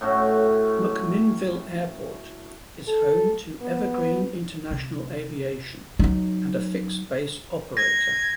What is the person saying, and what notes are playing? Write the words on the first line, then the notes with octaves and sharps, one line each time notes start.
McMinnville Airport is home to Evergreen International Aviation and a fixed-base operator.
A2 A3 C#4 F#4
A4
B3
C3
F#3 D#4
G#6 A#6